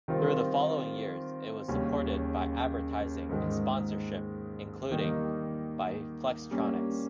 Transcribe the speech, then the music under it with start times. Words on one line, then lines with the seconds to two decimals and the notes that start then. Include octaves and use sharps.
Through the following years it was supported by advertising and sponsorship, including by Flextronics.
0.08 D#3 G3 C4 F4 A#4
1.68 D#2 C#3 G3 C#4
3.30 G#2 D#3 G#3
4.90 D#3 G3 A#3 D#4 A#4
6.51 G3 A#3 C#4